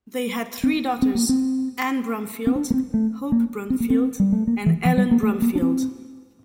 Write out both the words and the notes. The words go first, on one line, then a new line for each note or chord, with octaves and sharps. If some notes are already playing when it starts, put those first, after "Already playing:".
They had three daughters, Ann Bromfield, Hope Bromfield and Ellen Bromfield.
C4
C4
A#3
C4
C4
D4
A#3
C4
A3
A#3
C4
A#3
C4
G3
A3
A#3
E3
F3
G3
A#3
A3
A#3
D4
C4